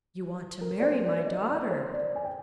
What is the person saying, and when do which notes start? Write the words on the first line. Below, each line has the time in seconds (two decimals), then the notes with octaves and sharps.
"You want to marry my daughter!"
0.61 A#4
0.79 D5
0.83 C5
1.05 D5
1.26 D#5
1.49 D5
1.71 C5
1.93 D5
2.16 G#5
2.25 G5